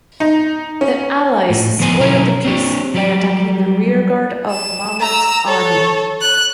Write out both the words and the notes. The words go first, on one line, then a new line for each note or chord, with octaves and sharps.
The allies spoiled the peace by attacking the rearguard of Mahmud's army.
D#4
C#4
A2
D2 F3 B3 C5 G#5
B2 D3 F#3 C#4 E4 A#4
C4 D4 G4 C#5
F#3 G3 G4
E7
A#5 E6
A4 C#5
F#6